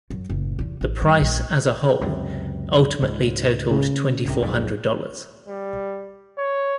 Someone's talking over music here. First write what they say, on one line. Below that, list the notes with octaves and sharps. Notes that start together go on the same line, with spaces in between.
The price as a whole ultimately totaled twenty-four hundred dollars.
F#2
F#1 A2
E2 C3
A1
G2
A#1
C#2 F#2 C3
C#2 G#2
C#3
D1 C2 C3
B1 F2 G#2
G3
C#5